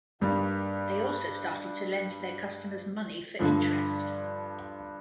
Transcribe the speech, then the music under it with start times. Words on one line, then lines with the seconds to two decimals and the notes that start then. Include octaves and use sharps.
They also started to lend their customers' money for interest.
0.21 G2 D#3 G3 A#3
3.39 G2 D3 F3